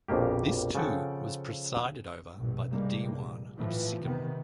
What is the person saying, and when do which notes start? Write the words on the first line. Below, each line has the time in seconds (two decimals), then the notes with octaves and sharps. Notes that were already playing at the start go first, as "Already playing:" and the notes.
This too was presided over by the Dewan of Sikkim.
0.08 A#1 F2 B2 A#3 G4
0.75 C#3 F3 A4 F#5 G5
2.37 A#1 G2 B2
2.70 A1 G2 C3 G3 G#3 A#3
3.11 A#1
3.57 A2 E3 F3
4.03 C3 D#3 B3